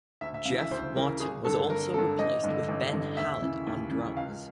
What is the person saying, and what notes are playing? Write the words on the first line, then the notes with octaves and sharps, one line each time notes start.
Jeff Watson was also replaced with Ben Hallet on drums.
D2 E5
E5
C#3 E3 F5
E5
D2 C5
C#3 E3 A#4
G#1 G#4
G2 D3 A4
G#1 A#4
G2 D3 A4
A1 D#5
G2 D3
A1
G2 D3
D#2 E5
C#3 E3
D#2
C#3 E3
C#2 F5